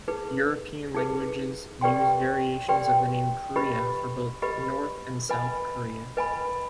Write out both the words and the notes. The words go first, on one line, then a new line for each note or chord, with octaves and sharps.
European languages use variations of the name "Korea" for both North and South Korea.
D#4 G#4 B4
D#4 G#4 B4
G4 B4 D5 G5 C6
G4 B4 D5 G5 C6
G4 B4 D#5 B5
G4 B4 D#5 B5
B4 D#5 G#5 B5
B4 D#5 G#5 B5